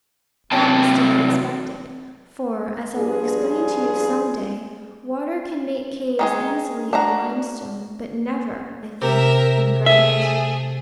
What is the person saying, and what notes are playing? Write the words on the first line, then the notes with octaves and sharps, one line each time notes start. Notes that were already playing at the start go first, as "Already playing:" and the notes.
That was to be expected; for, as I will explain to you some day, water can make caves easily in limestone: but never, I think, in granite.
C3 E3 F#3 C4 G5 A5
G2 F3 G#4
D#3 G#3 G#4
D4 F#4 A#5
C3 A#4 E5
A3 G#4 E5